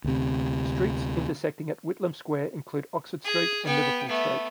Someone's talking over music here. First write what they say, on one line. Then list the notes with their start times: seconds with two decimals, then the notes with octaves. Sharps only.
Streets intersecting at Whitlam Square include Oxford Street and Liverpool Street.
0.04 D2 C3
3.24 G#4
3.65 B3 G5
4.07 A3 B3